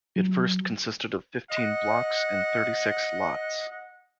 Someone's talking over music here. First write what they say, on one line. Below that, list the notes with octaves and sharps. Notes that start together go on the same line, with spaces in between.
It first consisted of fifteen blocks and thirty six lots.
F#3
D#5 F#5